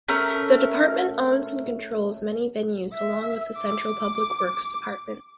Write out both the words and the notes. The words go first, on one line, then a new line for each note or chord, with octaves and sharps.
The department owns and controls many venues along with the Central Public Works Department.
A3 C#4 A#4
E5
D6